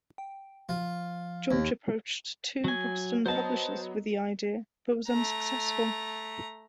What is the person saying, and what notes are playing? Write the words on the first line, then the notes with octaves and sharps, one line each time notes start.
George approached two Boston publishers with the idea, but was unsuccessful.
G5
F3 F4
D#2 A#3
F#3 G#5
F#3 B3 C5 D#5 A5
A3 A#5